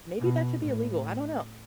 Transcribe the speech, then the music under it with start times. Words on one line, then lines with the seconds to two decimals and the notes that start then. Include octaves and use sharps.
maybe that should be illegal, I don't know,
0.19 B2
0.61 A2